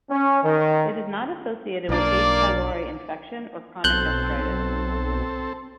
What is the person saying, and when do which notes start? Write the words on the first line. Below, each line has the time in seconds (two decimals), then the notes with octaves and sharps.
It is not associated with H. pylori infection or chronic gastritis.
0.10 C#4
0.44 D#3
1.89 B1 A#3 D4 D5
3.84 B1 C4 A4 F#6 G6